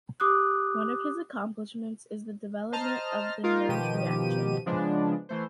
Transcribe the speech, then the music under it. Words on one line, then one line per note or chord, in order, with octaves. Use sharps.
One of his accomplishments is the development of the Norrish reaction.
G4 D6 D#6 F#6
C5 D#5 A5 A#5 F6
A#3 D#4 F4 A#4 F5
B2 D#3 F3 G4 D#7
C#3 F3 G#3 B3 D4
E3 A3 C5